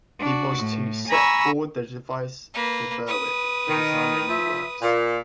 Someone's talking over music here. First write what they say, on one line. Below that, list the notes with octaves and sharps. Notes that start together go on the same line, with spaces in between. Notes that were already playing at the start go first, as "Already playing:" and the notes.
He was to "set forward the device for Berwick": to design the new works.
D4 F#4
A2
G#5 A#5 B5 C#6 E6
A#3 B4
B4 D#6
D#3
F3 E5
A#2